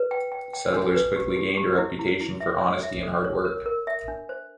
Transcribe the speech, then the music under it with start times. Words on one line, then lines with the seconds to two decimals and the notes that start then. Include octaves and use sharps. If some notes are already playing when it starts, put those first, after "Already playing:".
The settlers quickly gained a reputation for honesty and hard work.
Already playing: B4
0.11 G5
0.32 G5
0.53 G5
0.74 D4
0.95 B4
1.16 G4
1.36 G4
1.57 G4
1.78 E4
1.99 E4
2.20 E4
2.40 E5
2.61 C#5
2.83 E5
3.03 A4
3.24 C#5
3.45 A#4
3.66 A#4
3.87 E5
4.08 D4
4.29 C5